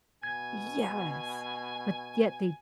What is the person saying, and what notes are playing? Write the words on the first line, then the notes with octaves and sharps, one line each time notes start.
Yes, but yet they
B2 G#5 G#6